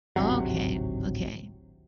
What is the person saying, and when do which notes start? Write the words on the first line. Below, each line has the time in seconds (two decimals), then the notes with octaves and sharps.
Oh, okay. Okay.
0.16 D1 G#1 C3 F#3